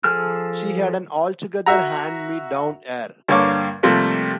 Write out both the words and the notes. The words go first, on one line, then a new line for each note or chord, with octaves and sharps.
She had an altogether hand-me-down air.
F3 G#4 A4 F6
F#4 E5 F#5 A#5
G2 D3 A#3 C#5 C#6 D6
C3 F3 G3 A3 A#3